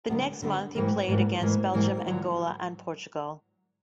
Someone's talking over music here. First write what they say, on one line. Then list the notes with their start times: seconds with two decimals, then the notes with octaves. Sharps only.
The next month he played against Belgium, Angola and Portugal.
0.10 D3 G3 B3
0.42 D3 G3 B3
0.75 G#2 E3 G3 A#3
1.08 G#2 E3 G3 A#3
1.41 G#2 E3 G3 A#3
1.74 G#2 E3 G3 A#3
2.07 D3 F#3